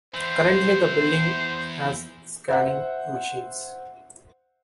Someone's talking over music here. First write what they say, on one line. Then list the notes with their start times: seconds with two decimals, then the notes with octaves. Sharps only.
Currently, the building has scanning machines.
0.15 E2 E3 C5
2.48 C5 E5 F#5